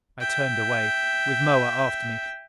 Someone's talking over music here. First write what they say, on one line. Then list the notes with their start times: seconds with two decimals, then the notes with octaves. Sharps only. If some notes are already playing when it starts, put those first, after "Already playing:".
I turned away, with Moa after me.
0.20 E5 G5